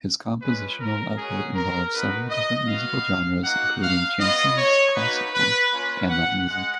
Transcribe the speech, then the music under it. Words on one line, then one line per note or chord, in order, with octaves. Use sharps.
His compositional output involved several different musical genres, including chansons, classical, and light music.
G#3 C#4 F4 B4
A#4
G#3 C#4 F#4 G#4
A#4
B3 D#4 F#4 B4
D#5
B3 F#4 F5
A#3 D#4 F#4 F#5
F5
B3 F4 D#5
C#5
A#3 D#4 F#4 B4
B4
A#3 C#4 F4 B4
F#5
G#3 F#5